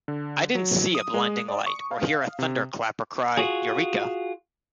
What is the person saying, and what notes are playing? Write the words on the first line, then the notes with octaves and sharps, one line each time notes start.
I didn't see a blinding light or hear a thunder clap or cry 'Eureka!
D3
F#3
D#6
G#3
D5
C#6
F5
C3
F4 F#4 G#4